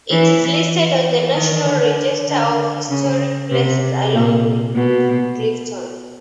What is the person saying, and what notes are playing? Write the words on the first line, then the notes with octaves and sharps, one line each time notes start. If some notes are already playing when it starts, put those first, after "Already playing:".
It is listed on the National Register of Historic Places along with Clifton.
E3
D#3
D3
D3
C#3
C3
A#2
B2